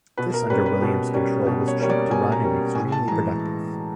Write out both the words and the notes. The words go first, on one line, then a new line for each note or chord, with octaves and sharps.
This under Williams control was cheap to run and extremely productive.
B2 B4
A#4
G3 A#3 C#4 B4
B4
B2
G3 A#3 C#4
B2
C#5
G3 A#3 C#4 C#5
D5
B2 G#5
A#5
G3 A#3 C#4
A2 G#5
A5
E3 G#3 A#5